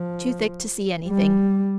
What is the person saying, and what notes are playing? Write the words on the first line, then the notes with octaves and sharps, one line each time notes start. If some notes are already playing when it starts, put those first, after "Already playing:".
Too thick to see anything.
Already playing: F3
G3